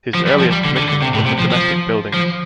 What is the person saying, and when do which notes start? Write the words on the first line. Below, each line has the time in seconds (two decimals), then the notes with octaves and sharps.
His earliest commissions were for domestic buildings.
0.14 F3
0.27 G3
0.40 F3
0.52 G3
0.65 D3
0.77 D3
0.89 D3
1.02 C3
1.14 A2
1.26 C3
1.39 F3
1.52 F3
2.14 F3